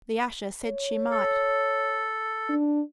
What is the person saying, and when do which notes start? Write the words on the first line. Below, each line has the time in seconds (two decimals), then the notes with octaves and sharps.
The usher said she might.
0.66 C#5
1.11 A4
2.49 D4